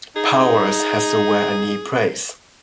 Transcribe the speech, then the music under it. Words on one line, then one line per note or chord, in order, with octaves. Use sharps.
Powers has to wear a knee brace.
D#4 G#4